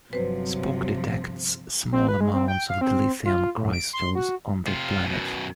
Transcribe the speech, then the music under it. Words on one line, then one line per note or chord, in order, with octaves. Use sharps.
Spock detects small amounts of dilithium crystals on the planet.
G1 C3 F3 F#3 B4 C5
C4
B4
G#3
C4
G5
F5
C4
F4
A2
D7
C6
F#4
C3 F4
F#2 B2